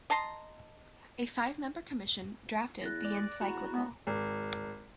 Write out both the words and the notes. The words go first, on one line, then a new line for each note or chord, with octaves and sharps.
A five-member commission drafted the encyclical.
D#5 A5 A#5 C6
E2 F#6 A6 A#6
D5
E2 F#4 A#5 B5
B3
G#1